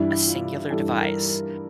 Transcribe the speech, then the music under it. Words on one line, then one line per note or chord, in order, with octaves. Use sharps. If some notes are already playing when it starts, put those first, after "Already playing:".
a singular device
Already playing: G2 E3 G3 E4
F4
G2 E3 G3 A4
A#4
A#4